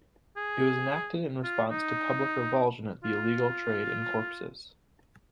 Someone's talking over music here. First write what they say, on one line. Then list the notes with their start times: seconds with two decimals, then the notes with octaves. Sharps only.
It was enacted in response to public revulsion at the illegal trade in corpses.
0.36 G#4
1.44 F4
1.71 D#4
3.04 F4